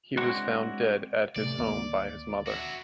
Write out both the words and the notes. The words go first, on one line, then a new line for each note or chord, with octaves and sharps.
He was found dead at his home by his mother.
G#3 C4 D4 E4 F#4 C#5
A1 C3 A3 D5
D2 D#3 A#3
F#4 E5